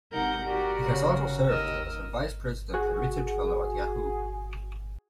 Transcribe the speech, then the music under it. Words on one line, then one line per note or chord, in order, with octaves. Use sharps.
He has also served as a Vice President and Research Fellow at Yahoo!
C3 G#3 D#4 A#4 F#5 G6
F#4 G4 A#4 D5
C#3 F#4 A#4
D#2 A#4 D#5 E6
F#4 G#4